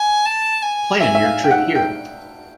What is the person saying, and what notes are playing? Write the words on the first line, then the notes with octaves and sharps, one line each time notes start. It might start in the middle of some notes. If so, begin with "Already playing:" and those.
Plan your trip here.
Already playing: G#5
A5
G#5
E5 G#5
E5
F5
G5
F#5
G5